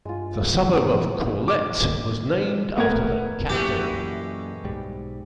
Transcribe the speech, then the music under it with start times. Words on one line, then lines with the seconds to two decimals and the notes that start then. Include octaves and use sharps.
The suburb of Corlette was named after the captain.
0.05 G2 G#3 F4
1.48 D6
2.76 A3 B3 A#4 G#6
3.49 F#2 A#2 E3 G#3 A3 B3 G4
4.64 B1 G#2 G3